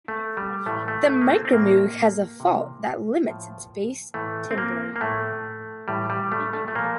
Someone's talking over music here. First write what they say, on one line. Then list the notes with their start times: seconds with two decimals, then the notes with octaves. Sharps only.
The Micromoog has a "fault" that limits its bass timbre.
0.08 A3
0.37 G3
0.66 A2 E3 A3
0.88 A3
1.09 A3
1.21 A#3
1.32 C4
1.45 C4
1.53 A2 F3 A#3
2.40 C3 E3
3.27 A2 F3
4.14 A2 E3 A3
4.51 C4
4.58 A#3
4.96 A#3
5.01 A2 F3 A3
5.88 A2 E3 G3
6.10 G3
6.32 A3
6.53 A3
6.68 A3
6.75 A#2 F3 A#3